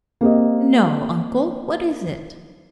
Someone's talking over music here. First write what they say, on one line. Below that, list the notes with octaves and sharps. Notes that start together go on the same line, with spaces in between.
"No, uncle, what is it?"
A#3 C4 G4 D#5